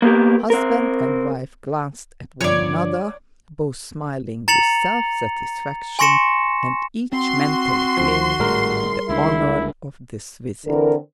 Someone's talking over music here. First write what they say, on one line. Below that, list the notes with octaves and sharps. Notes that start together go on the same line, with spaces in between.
Husband and wife glanced at one another, both smiling with self-satisfaction, and each mentally claiming the honor of this visit.
A#3 B3 G4 A#4
C4 A#4
G2 D3 F3 C#5 D5
A#5 A6 C#7 F7 F#7
G#5 C6 C#6 A#6 C#7 E7
C4 F#4 C6
D2 F3
G#1 A2 G3 A3 G#4 A#4
C#2 D3 E4
D3 E3 C4 A#4